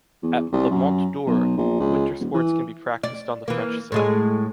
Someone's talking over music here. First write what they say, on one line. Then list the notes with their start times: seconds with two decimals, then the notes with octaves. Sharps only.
At the Mont d'Or, winter sports can be practiced on the French side.
0.23 E2
0.53 C2
0.70 F#2
1.26 B1
1.57 A#1
1.80 C#2
2.20 D#1
2.34 E3
3.03 D5
3.48 E3 A#3
3.92 A2 G#3 G#4